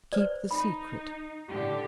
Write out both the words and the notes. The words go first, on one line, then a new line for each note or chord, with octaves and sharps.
Keep the Secret.
B4 C5 D5
D#4 B5
A2 D3 G4